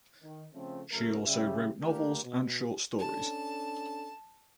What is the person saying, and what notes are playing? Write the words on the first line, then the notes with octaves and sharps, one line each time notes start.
She also wrote novels and short stories.
D#3
C#3 F3 A3 C4
C#3 F#3 A3 F#4 A4 A#4
C#3 G3 E5
A3 A#3 D4 G4 A#4
B2
C#4 D4 A4 A5